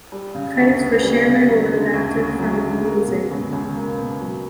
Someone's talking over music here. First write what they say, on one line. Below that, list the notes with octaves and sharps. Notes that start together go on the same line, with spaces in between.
Credits for "Share My World" adapted from Allmusic.
G3
C#3
D2
B3
G3
C#3
F#3
D3
D2
C#4
F#3
D3
A#3
B2
C#2
C#2
A#3
B2
F#3